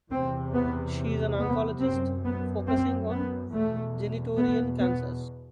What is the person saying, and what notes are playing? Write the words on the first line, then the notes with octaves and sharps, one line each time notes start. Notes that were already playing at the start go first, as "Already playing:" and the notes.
She is an oncologist focusing on genitourinary cancers.
E2 C3 C4
B3
B3
F#2 C4
B3
C4
B3
E2 B2 A3
B3
B3